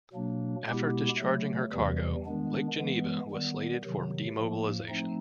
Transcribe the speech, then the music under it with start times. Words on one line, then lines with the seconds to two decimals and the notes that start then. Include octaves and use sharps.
After discharging her cargo, "Lake Geneva" was slated for demobilization.
0.13 B2 F#3 A#3 D4
0.67 B2 G#3 B3 E4 G4
1.19 C#3 F#3 A3
1.72 E2 C3 E3 G3
2.25 D#3 G#3 B3 D4
2.77 E3 G#3 B3
3.31 D#3 G3 B3
3.84 C3 D#3 F#3
4.36 A2 F3 A#3
4.89 F3 A3 C4 D#4